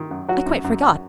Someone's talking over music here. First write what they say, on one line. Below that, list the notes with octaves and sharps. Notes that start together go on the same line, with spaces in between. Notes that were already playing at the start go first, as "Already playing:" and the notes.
I quite forgot!
Already playing: D#3
F#2
F#3 F#4
F#2
F#2
F#2